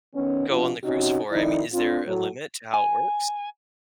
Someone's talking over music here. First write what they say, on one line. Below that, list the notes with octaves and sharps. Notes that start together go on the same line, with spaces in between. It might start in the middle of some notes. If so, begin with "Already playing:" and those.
go on the cruise for? I mean, is there a limit to how it works?
D#3 B3 C#4
C3 F3 B3 D4 F4
C3 C#4 D#4 F#4
F2 D#3 D#4 E4 D5
C4 D4 F4
A2 F#3
G#5